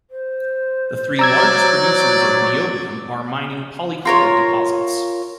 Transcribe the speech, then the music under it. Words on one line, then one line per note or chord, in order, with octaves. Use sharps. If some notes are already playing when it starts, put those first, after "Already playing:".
The three largest producers of niobium ore are mining pyrochlore deposits.
C5
F#3 D5 A#5 E6 G#6
F4 A#4 C#5